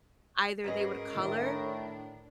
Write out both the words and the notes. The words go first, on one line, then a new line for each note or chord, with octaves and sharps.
either they would color
G#2 F#3 C#4 G#4 A#4 B4 D#5
A2 D#3 D4